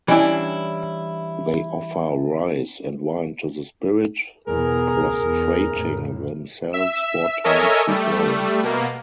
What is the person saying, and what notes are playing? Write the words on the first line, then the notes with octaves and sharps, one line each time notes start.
They offer rice and wine to the spirit, prostrating themselves four times before him.
E3 G3 C#4 D4 E4
E2 B2 B3 G#4 A#4
C#2
E2
F2 A2
E5 E7
A4 A#4 C#5 D#5 E5 G#5
G3 A3
B2 A#3